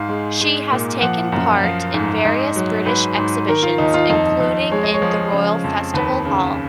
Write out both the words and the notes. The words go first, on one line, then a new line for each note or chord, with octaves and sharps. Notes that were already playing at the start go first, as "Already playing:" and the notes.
She has taken part in various British exhibitions, including in the Royal Festival Hall.
Already playing: G#2 F5
G#3
G#3
A#2
F3 F#5
F#2
F3 F5
G#2
G#2 D#5
F#3
G#2 B4
G#2
D#3 A#4
F4
D#2 D#4
F4
F2 D#4
F2
G#3 C#5
D#5
C#5
F3
C#3
F2
D#2 B4
C#3